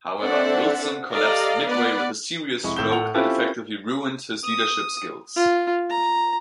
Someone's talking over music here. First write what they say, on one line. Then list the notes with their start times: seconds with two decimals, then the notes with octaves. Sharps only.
However, Wilson collapsed midway with a serious stroke that effectively ruined his leadership skills.
0.23 C4 D4 A4 D5 E5 F#5
1.12 G4 A4 D5 D#5 F5 A#5
1.66 B3 B4 D5 F#5
2.64 F1 G#3 E4 C#6
2.76 G#1 A2 G6 E7 G7
2.90 A2 A4 F#5 F7
3.14 C4 C#4 E4 F4 G4 A4
4.44 D#6
5.36 F4
5.90 A#5